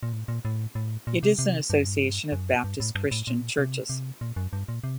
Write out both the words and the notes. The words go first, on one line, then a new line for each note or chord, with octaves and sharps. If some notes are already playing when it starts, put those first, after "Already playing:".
It is an association of Baptist, Christian churches.
A#2
A2
A#2
A2
A2
A#2
C3
C3
G2
F#2
G2
F#2
G2
A2
G2
A2
A#2
C3
C3
A#2
F#2
G2
A#2
C3